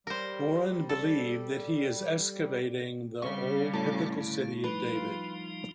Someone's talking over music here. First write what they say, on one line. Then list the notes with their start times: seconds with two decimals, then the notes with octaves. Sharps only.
Warren believed that he is excavating the old biblical city of David.
0.07 G3 A#4 C5
0.89 A4
3.22 C#3 G3 C4 F5 C#6
3.74 A2 F#4 A4 D5 F5
4.21 D3 F5
4.64 F3 G3 D#4 B4
4.93 F4